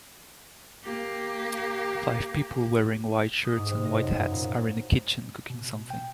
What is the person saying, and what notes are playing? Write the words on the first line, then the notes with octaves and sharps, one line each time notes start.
Five people wearing white shirts and white hats are in a kitchen cooking something.
A#3 G4
D#6
G#2
C3
D#5
F#2
A#2
B2
G5